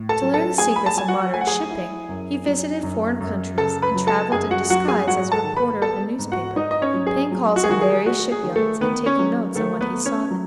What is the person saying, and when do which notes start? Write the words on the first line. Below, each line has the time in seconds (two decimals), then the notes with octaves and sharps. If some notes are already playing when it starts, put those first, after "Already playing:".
To learn the secrets of modern shipping he visited foreign countries and traveled in disguise as a reporter of a newspaper, paying calls on various shipyards and taking notes on what he saw there.
Already playing: A2
0.09 A4 A5
0.22 F#3
0.34 A4 A5
0.58 A3 G#4 G#5
0.76 B5
0.86 A5
0.96 F#3 G#5
1.08 F#4 F#5
1.34 A3 G#5
1.41 F#5
1.47 G#4 G#5
1.71 E4
2.09 F#2
2.46 F#3
2.83 F#2
3.20 F#2
3.57 C#3 A4 A5
3.82 B4 B5
3.95 F#3
4.07 A4 A5
4.32 F#2 G#4 G#5
4.51 F#4 F#5
4.70 F#3 F#4 F#5
4.88 G#4 G#5
5.07 G#2 F#4 F#5
5.32 A4 A5
5.44 D#3
5.57 B4 B5
5.82 B3 A4 A5
6.19 G#2
6.32 F#4 F#5
6.56 G#2 D#4 D#5
6.71 D#5
6.82 C#4 C#5
6.94 F#3
7.07 G#4
7.32 F#3
7.56 F#4
7.64 G#4
7.69 D#3 F#4
7.81 G#4
8.06 A3 F#4
8.32 G#4
8.43 D#3
8.56 A3 A4
8.81 D#3 B3 B4
9.06 C#4 C#5
9.19 F#3
9.55 D#3 A3 A4
9.81 B3 B4
9.94 A3
10.05 C#4 C#5
10.31 F#3